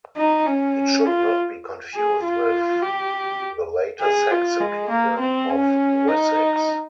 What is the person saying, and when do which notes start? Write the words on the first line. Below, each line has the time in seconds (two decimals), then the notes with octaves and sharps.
It should not be confused with the later Saxon kingdom of Wessex.
0.17 D#4
0.46 C#4
1.06 F4
1.94 G#4
2.24 F4
2.83 G4
4.01 G#4
4.31 F4
4.60 G#3
4.90 A#3
5.19 C4
5.50 C#4
6.08 D#4